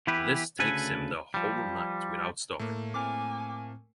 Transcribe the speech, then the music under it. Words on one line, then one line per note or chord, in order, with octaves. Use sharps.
This takes him the whole night without stopping.
E3 B3 E4 G4 B4
D2 C#3 A4 B4 G#5
F3 G3
A2 A3 A#3
A2 C4 G#5 D6 F6